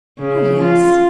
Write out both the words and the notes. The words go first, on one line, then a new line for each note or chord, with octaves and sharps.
Oh, yes.
C#3
F4